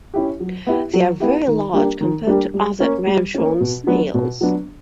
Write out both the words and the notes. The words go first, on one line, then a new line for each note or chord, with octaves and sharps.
They are very large compared to other Ramshorn snails.
C#4 E4 G4
F#3
B3 E4 G4
F#3
B3 E4 G4
D#3
G3 A#3 D4 G4
D#3
G3 A#3 D4 G4
G3
A#3 C#4
G3
A#3 C#4
B2
F#3 B3 D4
B2
F#3 B3 D4